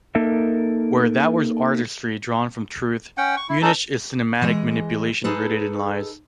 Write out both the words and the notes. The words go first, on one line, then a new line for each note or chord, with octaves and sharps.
Where that was artistry drawn from truth, Munich is cinematic manipulation rooted in lies.
A#3 D#4 A4 A#4 E5
C#4 F#5 G5
C#6
E4
C#4 D#4 A4 A5
E3 G#3
D#4 G#4 A4 B4